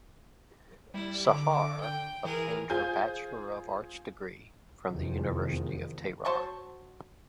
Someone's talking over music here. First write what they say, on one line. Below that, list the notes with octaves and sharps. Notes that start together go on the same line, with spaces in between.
Sahar obtained her Bachelor of Arts degree from the University of Tehran.
G3 E4
D3 D6
G5
E3 G#4 A#4
F4 G#4 C5 G#5 G6
F1 E2 C3 D#3 F3
F#3 C5 A5 C#6